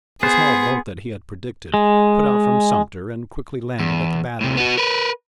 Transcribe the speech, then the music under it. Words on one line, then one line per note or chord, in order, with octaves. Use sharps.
The small boat that he had predicted put out from Sumter and quickly landed at the Battery.
B3 G#4 C5
G#3
E2
A2 C3
B3 F#4
A#4 B4